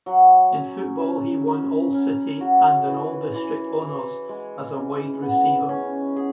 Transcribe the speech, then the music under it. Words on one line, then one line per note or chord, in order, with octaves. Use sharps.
In football, he won All-City and an All-District honors as a wide receiver.
F#3
C#4
C#3
C#3
C#4
F#4
E3
E3
E3
G#3
C#3
B3
C#4
G#4